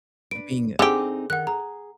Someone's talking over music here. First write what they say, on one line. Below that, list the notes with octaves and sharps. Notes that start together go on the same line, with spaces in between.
you're being
D4 B4 D7
D3 C4 D#4 G4 G#4 G#5
D#3 F#5 F#6
G#4 A#5